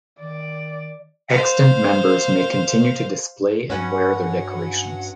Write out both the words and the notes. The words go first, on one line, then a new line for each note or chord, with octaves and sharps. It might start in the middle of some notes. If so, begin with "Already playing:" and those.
Extant members may continue to display and wear their decorations.
D#3 D5
C5 F5
G2 C#4 F#4 B4 F#5